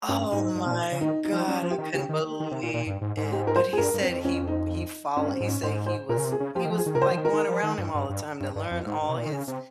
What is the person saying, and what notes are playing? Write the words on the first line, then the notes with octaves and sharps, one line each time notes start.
Oh my god I couldn't believe it. But he said he w he follow he say he was he was, like, going around him all the time to learn all his
G2 C#4
G#2 D#4
G2
C3
A#2
C#3
D#3 D#4
D#4
F3
G3 C#4
F3
G4
D#3
C#3 G4
D#3
D#3
C3
A#2
A#2
G2
G#2
G#2
G4
A#4
C5
G#4
G2 A#4
G2
C4
F2
C#4
D#4
G2 C#4
C#4
C4
G#2
C#4
G#2 C5
C5
A#2 A#4
C#3
C3
G#4
C#3
F3 G4
D#3
F3
G#4
D#3
C3 A#4
C#3 C5
F3
D#3
A#4
D#3
F3
D#3
G2
G2
G2
G2
G2
F2
G#2
G2
C3
A#2
D#3
C#3
C3